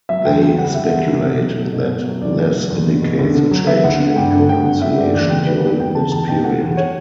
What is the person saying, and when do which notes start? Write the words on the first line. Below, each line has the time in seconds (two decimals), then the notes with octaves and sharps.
They speculate that this indicates a change in pronunciation during this period.
0.09 F#3 E5
0.25 E2 G5
0.41 C#3 G5
0.58 G3 F#5
0.74 E2 E5
0.91 E2
1.08 C#3
1.23 B2
1.40 F#3
1.56 A3
1.73 B2
1.88 B2
2.04 F#3
2.21 E2 D5
2.38 B2
2.54 F#3
2.70 E2
2.86 E2
3.02 B2
3.19 D2
3.35 D3
3.51 F#3
3.67 B3 E5
3.84 D2 F#5
4.00 D3
4.16 G2 G5
4.32 D3 F#5
4.49 G3 G5
4.65 G2 F#5
4.82 G2 E5
4.98 D3 D5
5.14 E2 D5
5.30 C#3 G5
5.46 G3 B4
5.63 B3
5.79 E2 G5
5.95 C#3 A5
6.12 E2 A5
6.28 B2 G5
6.44 A3 F#5
6.61 E2
6.77 C#5